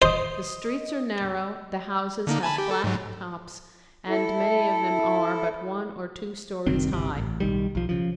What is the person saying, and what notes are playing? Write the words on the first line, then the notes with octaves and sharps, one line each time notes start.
The streets are narrow, the houses have flat tops and many of them are but one or two stories high.
C5 D#5 D#6
D3 A#3 D#4
G#5 A5 B5
G4
A4
G#2 F#3
E4 A4
F#1 C2 D#3 C4
G1 C2 C3
A1
B1 D#3 G3
B1 F3
C#3 F3